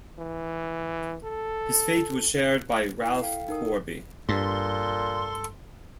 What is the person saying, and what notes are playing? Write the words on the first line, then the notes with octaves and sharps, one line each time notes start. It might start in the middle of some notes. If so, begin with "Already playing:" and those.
His fate was shared by Ralph Corby.
E3
A4
E4 C7
A4 F5 G5
D#4 A#4 D#6
G2 A#2 A4 C6